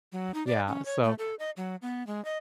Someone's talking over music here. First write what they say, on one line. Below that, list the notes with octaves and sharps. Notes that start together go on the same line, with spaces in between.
Yeah. So,
F#3
D#4
D5
C#4
C#5
A3
A4
D#5
F#3
B3
G#3
D#5